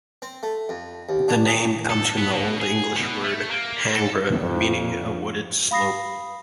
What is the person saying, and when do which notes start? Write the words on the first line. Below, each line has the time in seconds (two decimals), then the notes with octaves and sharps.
The name comes from the Old English word "hangra", meaning a wooded slope.
0.22 C4
0.43 A3
0.69 F2
1.09 D#2
1.28 D4
1.47 G#4
1.91 A4
2.19 B3
2.33 B2
2.61 G#4
2.97 B2
3.24 A3
3.51 A#3
3.95 A4
4.39 F2
5.71 F5 B5 D#6 A#6 C7